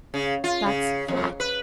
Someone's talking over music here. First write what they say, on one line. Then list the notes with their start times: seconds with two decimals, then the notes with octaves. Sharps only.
That's flat.
0.14 C#3
0.44 F4
0.66 C#3
1.08 F2
1.40 B4